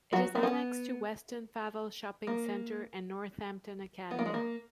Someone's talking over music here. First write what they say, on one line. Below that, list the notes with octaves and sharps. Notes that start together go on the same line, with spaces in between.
It is annexed to Weston Favell Shopping Centre and Northampton Academy.
F#3 F#4
A#3
B3
A#3
B3
A#3
G#3
A#3